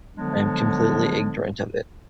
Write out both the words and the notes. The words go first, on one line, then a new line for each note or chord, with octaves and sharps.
I am completely ignorant of it.
D3 F3 F#3 G#3 B3 D4